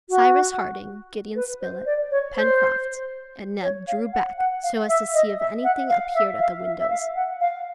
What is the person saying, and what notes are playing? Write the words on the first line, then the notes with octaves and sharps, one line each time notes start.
Cyrus Harding, Gideon Spilett, Pencroft, and Neb drew back, so as to see if anything appeared at the windows.
F#4
B4
C5
D5
C#5
C5
C#5
F5
F#5
F#5
F5
E5
D#5
E5
F#5
F5
E5
F5
E5
E5
F5
F#5
F5